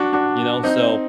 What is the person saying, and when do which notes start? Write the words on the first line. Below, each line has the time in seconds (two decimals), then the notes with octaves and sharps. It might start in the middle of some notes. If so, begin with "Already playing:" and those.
you know. So,
Already playing: D4 F#4
0.13 D4 F#4
0.64 C4 D#4